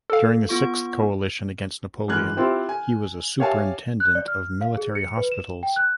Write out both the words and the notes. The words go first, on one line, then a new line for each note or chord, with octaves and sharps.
During the Sixth Coalition against Napoleon, he was a superintendent of military hospitals.
A4 F5
B3 F4 C#6
G#1 E3 G#3 F6 F#6 G#6
C4 E4 F4 G4 C5
G#5
G4 C#5 E5 F5 G#5 A5
F#6
D5
F6
F5
G#4
C#7
B4
E7
G5
F#6